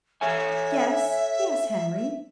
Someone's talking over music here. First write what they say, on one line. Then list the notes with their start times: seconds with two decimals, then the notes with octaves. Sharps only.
"Yes--yes, Henry?"
0.21 A4 C#5 E5 G#5